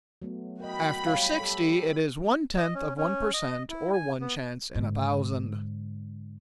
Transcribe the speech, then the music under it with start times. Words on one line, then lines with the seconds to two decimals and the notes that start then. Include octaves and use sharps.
After sixty it is one-tenth of one per cent, or one chance in a thousand.
0.22 F#3 A3 B3
0.60 F#4 A#4 D#5 G5 B5
1.07 G3 C#5 F5
1.40 G4 A4
2.57 D#5
2.74 C#4
2.97 C#4
3.34 D#5
3.70 E4
3.93 G#5
4.21 B3
4.75 G#2 D3